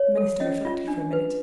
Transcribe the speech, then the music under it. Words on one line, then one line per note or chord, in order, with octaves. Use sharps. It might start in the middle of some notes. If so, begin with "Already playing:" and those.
The minister reflected for a minute.
Already playing: C#5
A4
C#4 D#5
F4
D4
B4